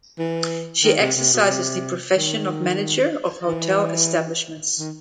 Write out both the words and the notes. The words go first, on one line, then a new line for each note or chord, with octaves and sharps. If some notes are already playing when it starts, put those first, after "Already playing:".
She exercises the profession of manager of hotel establishments.
E3
D#3
C3
C3
B2
C3
D#3
E3
D#3